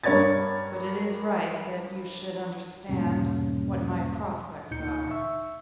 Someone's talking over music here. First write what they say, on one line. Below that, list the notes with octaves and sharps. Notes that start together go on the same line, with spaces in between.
But it is right that you should understand what my prospects are.
G2 A#4 C#5 D5 G#6 A6
E2 G#2 B2 G3 A#3 C#4
D2 A#2 D#4 G6 C#7
E5 C#6 E6